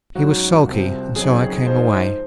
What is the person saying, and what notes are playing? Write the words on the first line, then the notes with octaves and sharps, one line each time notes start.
He was sulky, and so I came away.
G#2 F#3 C#4 F#4
C2 C3 F3 C4
F2 C#3 F#3 C4 D#4 G#4
G#4
G#2 F3 G#3 D#4 C5